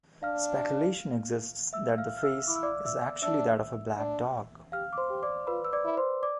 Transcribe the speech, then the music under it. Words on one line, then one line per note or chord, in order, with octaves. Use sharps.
Speculation exists that the face is actually that of a black dog.
D4 F5 F6
E5 E6
F5 F6
F6
E5 E6
E4 D6
E6
D5 D6
E5 E6
D4 E5 E6
D4
G4 F5 F6
D6
C5 C6
G4
D5 D6
F4 B4 B5
E6
D5 D6
E4
C5 C6
D5 D6